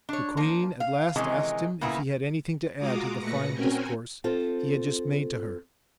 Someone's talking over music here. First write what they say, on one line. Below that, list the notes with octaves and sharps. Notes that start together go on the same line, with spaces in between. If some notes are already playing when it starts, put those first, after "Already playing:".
The queen at last asked him if he had anything to add to the fine discourse he had just made to her.
D4 C#5
F3 A#3
F5
C3 D#3 E3 G#3 C#4
A#2 C#3 A#3 B3 E4
G#3 F4 F#4 A#5 D6 D#6
A#2 A3 B4 A#6 C#7
C4 C#4 F#4 A#4 G5 G#5
C4 F4 A4 C5